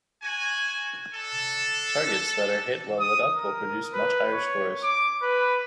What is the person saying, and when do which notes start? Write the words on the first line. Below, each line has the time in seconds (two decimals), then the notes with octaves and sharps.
Targets that are hit while lit up will produce much higher scores.
0.22 F#4 G#5
1.14 D4 A4
3.00 D#6
3.34 A#4
3.94 B4
4.33 C#5
4.84 D6
5.23 B4